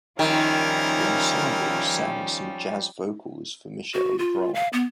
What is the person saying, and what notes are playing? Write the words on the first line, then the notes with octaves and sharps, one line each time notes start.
The ensemble sang some jazz vocals for Michel Legrand.
D#3 F3 G3 C#4 E4 F4 A#4
F#4
F4
F5
B3